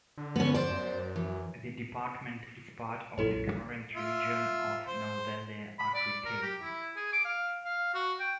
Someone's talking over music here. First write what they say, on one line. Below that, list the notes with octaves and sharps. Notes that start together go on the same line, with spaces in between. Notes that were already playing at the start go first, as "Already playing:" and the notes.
The department is part of the current region of Nouvelle-Aquitaine.
D3
B3 C#4
C5 D5
F#2
E3
B1 F#2 A#2 E4 A4 C#5
F4 E5
C5
B5
D5
A#4
G4
E4
G#4
D6
F5
F5
F#4
G5